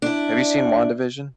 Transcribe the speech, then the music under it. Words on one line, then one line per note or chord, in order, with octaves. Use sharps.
have you seen WandaVision?
D4 E4